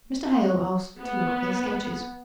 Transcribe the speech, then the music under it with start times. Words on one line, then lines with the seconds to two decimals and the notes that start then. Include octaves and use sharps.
Mr. Hale asked to look at their sketches.
0.99 B3